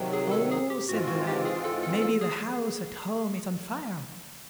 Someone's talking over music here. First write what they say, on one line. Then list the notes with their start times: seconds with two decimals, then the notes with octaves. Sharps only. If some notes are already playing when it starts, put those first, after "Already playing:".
'Oh', said the lad, 'maybe the house at home is on fire!'
Already playing: C3 D#3 F#3
0.13 G#4
0.31 A4
0.51 G#4
0.70 G4
0.89 G#2 E3 G#3 C4 F4 F#4
1.08 F#4
1.27 G4
1.45 G#4
1.64 A4
1.83 A4
2.02 A4
2.21 G#4